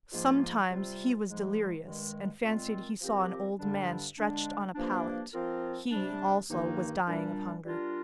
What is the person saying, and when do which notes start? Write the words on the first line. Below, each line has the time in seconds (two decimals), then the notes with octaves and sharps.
Sometimes he was delirious, and fancied he saw an old man stretched on a pallet; he, also, was dying of hunger.
0.12 G#2 F3 A#3 F4
0.70 C3 G3 C4 F4
1.28 G#2 F3 G#3
1.86 G2 D#3 G#3
2.44 A#2 G#3 C4 F4
3.01 F3 C4 G4 A#4
3.59 G2 D3 G3 D4
4.18 D3 G#3 D4
4.75 G2 F3 A#3 D4
5.34 F3 C4 F4 A#4
5.91 C3 G3 D4
6.49 G2 D#3 A#3 D#4
7.07 A#2 G3 D4
7.65 G3 D4 F4 A#4